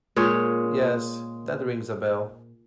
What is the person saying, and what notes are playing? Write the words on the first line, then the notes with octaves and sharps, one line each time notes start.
Yes, that rings a bell.
A#2 G#3 C#5